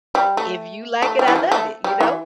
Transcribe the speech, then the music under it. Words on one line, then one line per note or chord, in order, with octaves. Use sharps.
"if you like it, I love it." You know?
G3
A3
A3
G3
E3
F3
A3
G3
E3